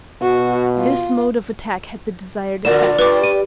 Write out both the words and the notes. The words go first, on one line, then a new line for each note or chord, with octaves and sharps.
This mode of attack had the desired effect.
B2 F#4
F4
A#2 D3 F3 F#4 A#4 D5 E7
G2 F4 G4 B4 D6
G4 D#7